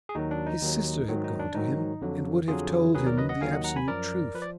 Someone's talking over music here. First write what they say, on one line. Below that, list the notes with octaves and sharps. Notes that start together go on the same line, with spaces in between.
His sister had gone to him, and would have told him the absolute truth.
G#4
D#2 D#3 F#3 D#4 F#4
D4
D#4
D#2 D#3 F#3
G#2 D#3 F#3
D#4
D4
G#2 D#3 F#3 D#4
F2 D3 F#3
F2 D3 F#3 F4 G#4
D#2 D#3 F#3 G#4 B4
A#4 D5
B4 D#5
D#5 F#5
D#2 D#3 F#3 F5 G#5
D#5 F#5
F#5 A#5
G#5 B5
F#2 F3 A#4 D5
F3 B4
D5